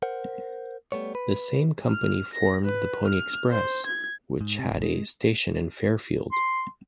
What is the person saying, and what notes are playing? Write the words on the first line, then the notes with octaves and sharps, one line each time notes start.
This same company formed the Pony Express, which had a station in Fairfield.
A#4 C5 F#5
G3 A3 B3 C#5
B4
F6
A#6
B4
F6
C5
G#6
G#2
C3
G#1
G#3
C6